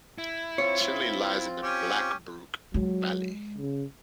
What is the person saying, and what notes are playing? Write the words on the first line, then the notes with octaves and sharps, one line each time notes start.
Chinley lies in the Blackbrook Valley.
E4
C4 F4 C#5
C#4 G4
F#3 G#3
C#3